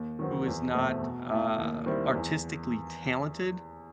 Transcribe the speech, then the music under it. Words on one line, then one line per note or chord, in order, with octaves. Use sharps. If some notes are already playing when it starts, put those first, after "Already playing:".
who is not, uh, artistically talented,
Already playing: D#2
D#3 F#3 C4
E2
B2 A3 C4
B2
A3 E4
D#2
D#3 G3 C4 E4
E2